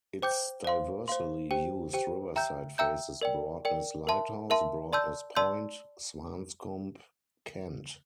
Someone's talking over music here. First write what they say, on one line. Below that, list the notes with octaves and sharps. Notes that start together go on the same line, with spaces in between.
Its diversely used riverside faces Broadness Lighthouse, Broadness Point, Swanscombe, Kent.
C5 G5 D6 G6
C5 F5 C6
C5 F5 C6
G4 C5 G5
G4 C5 G5
E5 G5 A#5 E6 G6
E5 G5 A#5 E6 G6
A#4 D5 G5
A#4 D5 G5
A#4 E5 A5 C6
A#4 E5 A5 C6
D5 A5 C6 E6 G6
D5 A5 C6 E6 G6